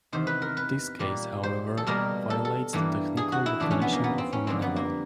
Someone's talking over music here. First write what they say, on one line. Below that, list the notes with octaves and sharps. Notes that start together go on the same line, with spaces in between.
This case, however, violates the technical definition of a mineral.
E2 C3 D#3 C5
B4
A#4
B4
A#2 G3 A#3
C5
A4
B2 G3 A#3 A#4
A4
A4
G2 E3 G3 A#3
G#4
F#4
E4
F2 C3 E3 A3 D4
C#4
B3
A#3
B3
C4
C#4
F2 D3 G3 A#3 C4
B3
A#3